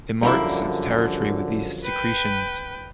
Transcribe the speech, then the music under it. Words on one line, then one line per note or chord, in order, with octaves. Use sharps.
It marks its territory with these secretions.
F#2 D3 F3 G3 A#3 E4
B4 G5